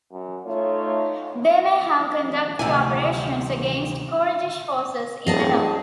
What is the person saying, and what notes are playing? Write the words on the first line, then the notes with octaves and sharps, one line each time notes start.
They may have conducted operations against Kurdish forces in the north.
F#2
A3 D#4 F4 C#5
D2 C3 E4 G#5
D#1 G#4 D#5 A5